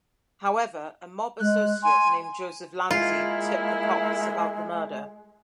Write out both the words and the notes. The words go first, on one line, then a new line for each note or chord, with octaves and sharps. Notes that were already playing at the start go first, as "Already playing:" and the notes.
However, a mob associate named Joseph Lanzi tipped the cops about the murder.
G#3 F#6
G#5 C6
G#3 A#3 E4 F4